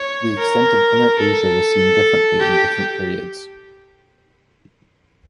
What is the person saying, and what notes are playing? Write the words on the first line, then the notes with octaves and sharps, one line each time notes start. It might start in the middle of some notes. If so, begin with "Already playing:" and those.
The extent of Inner Asia was seen differently in different periods.
Already playing: C#5
A#4
A4
G4